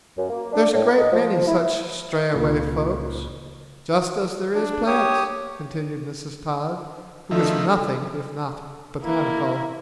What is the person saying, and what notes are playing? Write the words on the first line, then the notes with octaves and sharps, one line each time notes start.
"There's a great many such strayaway folks, just as there is plants," continued Mrs. Todd, who was nothing if not botanical.
F#2
A#3
D4
A2
D#5
F3
E4
C#2 A#2
D4
G4 C#5 D#6
D#3 F3 A3 D4 E4
A#3 E4